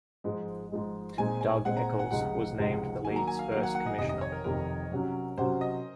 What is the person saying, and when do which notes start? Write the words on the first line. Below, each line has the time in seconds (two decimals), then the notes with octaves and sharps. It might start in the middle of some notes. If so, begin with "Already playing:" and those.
Doug Echols was named the league's first Commissioner.
0.24 G#2 F3 G#3
0.72 G#2 F3 G#3
1.17 A#2 G#3 C4 D#4 G#5
1.41 G#5
1.65 A#2 G#3 C4 D#4 F#5
1.77 A#5
1.99 F#5
2.11 C#2 C3 F3 G#3 D#4 F#5
2.58 C#2 C3 F3 G#3 D#4
3.05 D#3 F#3 A#3 G#5
3.16 A#5
3.28 G#5
3.39 F5
3.51 D#3 F#3 A#3 F5
3.63 F#5
3.75 F#5
3.86 D#5
3.98 F2 C3 D#3 D#5
4.09 D#5
4.21 C#5
4.32 A#4
4.44 F2 C3 D#3 A#4
4.91 C3 F#3 C#4 F#4
5.38 C3 F#3 C#4 F#4 C5
5.61 D#5